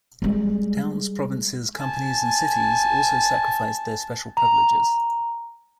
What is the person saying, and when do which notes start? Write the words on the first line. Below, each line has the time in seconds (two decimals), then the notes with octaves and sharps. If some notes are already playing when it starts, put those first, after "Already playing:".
Towns, provinces, companies, and cities also sacrificed their special privileges.
0.22 G3 G#3
1.77 G#5 A5
4.37 A#5